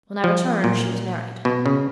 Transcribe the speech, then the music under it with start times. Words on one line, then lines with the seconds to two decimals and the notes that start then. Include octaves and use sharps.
When I returned she was married.
0.24 F3
0.64 A#2
1.45 B2
1.66 C#3